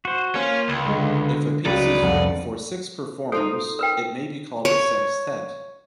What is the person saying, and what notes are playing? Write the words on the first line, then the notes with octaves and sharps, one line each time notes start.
If a piece is written for six performers, it may be called a "sextet".
F#4 C5
A#3 C#4 F4
C#2
D3 G#3
C#2 F#3 D#4 B4 D5
C2 F2 F#5
D#4 F4 A4 C5
A#4 B4 G5
C#5